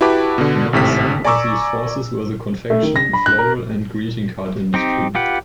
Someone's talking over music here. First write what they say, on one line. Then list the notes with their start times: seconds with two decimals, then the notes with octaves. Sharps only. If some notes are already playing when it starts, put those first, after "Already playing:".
Among some of these forces were the confection, floral and greeting card industry.
0.01 E4 F#4 G4 B4 A5 D6
0.38 B2 D3
0.73 G#1 A2 C3 B6
1.25 D5 G#5 A#5 C#6 D6 E6
2.70 A3
2.83 D#3
2.96 A#6
3.13 B5
3.26 F#6
3.38 A#4
4.74 C4 D#4 G4
5.15 F4 G4 B4 F#5